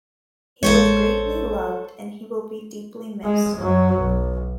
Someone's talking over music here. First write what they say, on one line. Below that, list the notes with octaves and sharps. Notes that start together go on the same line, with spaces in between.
He was greatly loved and he will be deeply missed.
A1 G#3 A4 C5 C#5
G#3
F#2 F#3
B1